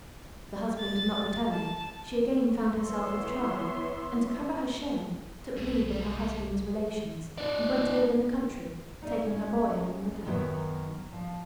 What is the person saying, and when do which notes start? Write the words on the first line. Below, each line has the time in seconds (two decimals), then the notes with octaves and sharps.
The husband not returning, she again found herself with child, and to cover her shame, took leave of her husband's relations, and went to live in the country, taking her boy along with her.
0.80 A6
1.50 A5
2.74 E3 B3 C#5 E5 C6
5.57 B1 G#3 A3
5.87 C#2 G3
7.38 D#4 D5
9.02 D#4 D5 E5
9.26 C#4 E4
10.25 F#2 D#3 F#3 B3 A#4 E5
11.13 F3